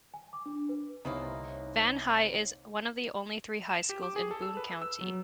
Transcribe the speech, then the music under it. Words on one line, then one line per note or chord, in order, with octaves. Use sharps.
Van High is one of only three high schools in Boone County.
G#5
D6
D4
B4
C2 D#3 E3 A#3 D#4 C5 C#5
E7
G4
D6
G#4
A4
E6
B4
E6
F#3